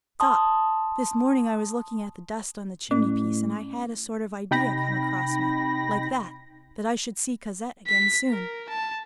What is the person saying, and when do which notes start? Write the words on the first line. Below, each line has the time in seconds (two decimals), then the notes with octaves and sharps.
Stop! this morning I was looking at the dust on the chimney-piece, and I had a sort of idea come across me, like that, that I should see Cosette again soon.
0.20 A5 C6 D#6
2.91 A2 C#4
4.51 C3 D#4 G5 B5 A#6
7.87 B6
8.30 A#4
8.69 A5